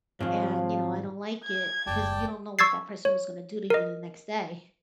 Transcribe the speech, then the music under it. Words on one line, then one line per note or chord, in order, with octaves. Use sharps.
And, you know, I don't like it because you don't know what that person was gonna do to you the next day.
G#2 D#3 F3 C4 C#5 F5
G#6
F#1 D#2 D5 G5 A5
C#6 E6 G#6 A6 C7
C#5
A#4 D#5